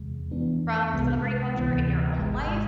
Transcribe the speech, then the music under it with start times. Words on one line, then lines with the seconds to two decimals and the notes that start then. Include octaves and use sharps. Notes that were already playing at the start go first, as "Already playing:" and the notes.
from celebrity culture in your own life,
Already playing: E2 C3 G#3
0.31 F2 E3 B3 D4
0.93 C2 C3 G#3 B3
1.55 D2 C3 E3 B3
2.18 G#1 G#2 G#3